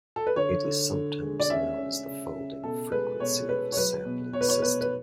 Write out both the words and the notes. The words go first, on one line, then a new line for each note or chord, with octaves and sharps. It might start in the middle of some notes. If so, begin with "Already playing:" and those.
It is sometimes known as the folding frequency of a sampling system.
A4
B4
D3 C#5
D3
D3
G#3
D5
C#4 E5
C#4
C#3
C#3
B2 A4
G#3 B4
B2 C#5
G#3 B4
C#5
F#3 B4
B2
B2 C#5
B4
C#5
B2 B4
B4